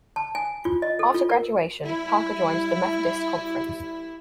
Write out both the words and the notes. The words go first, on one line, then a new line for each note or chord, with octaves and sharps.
After graduation, Parker joined the Methodist Conference.
A5
G#5
F4
D#5
A4
F4
A#4
G3 E4